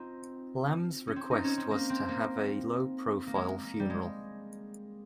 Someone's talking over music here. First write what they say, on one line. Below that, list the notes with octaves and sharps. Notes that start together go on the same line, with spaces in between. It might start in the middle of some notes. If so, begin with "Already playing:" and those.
Lam's request was to have a low-profile funeral.
Already playing: C4 D#4 F4
C#4
C4
D#4
C#4
C4
A#3
C4
A#3
A#3
G#3
A#3
G3
G#3